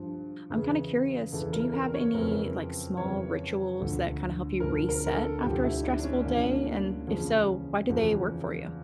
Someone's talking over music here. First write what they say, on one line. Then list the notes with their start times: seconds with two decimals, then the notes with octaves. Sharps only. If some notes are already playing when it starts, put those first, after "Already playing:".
I'm, kind of, curious, do you have any, like, small rituals that kinda help you reset after a stressful day, and if so why do they work for you?
Already playing: G2 F3
0.50 E2 C#3 E3
1.32 E2 C#3 E3 A4
1.53 A#4
1.74 A#4
1.94 C#5
2.14 F2 C#3 E3 A#4
2.97 F2 C#3 E3 C#5
3.79 D2 D3 F3
4.60 D2 D3 F3 A#4
4.89 A#4
5.06 A#4
5.15 A4
5.42 D2 D3 F3 G4
5.64 E4
5.84 D4
5.99 D4
6.04 C#4
6.25 D2 D3 F3 A#3
7.07 E2 C#3 F3 C#4
7.89 E2 C#3 F3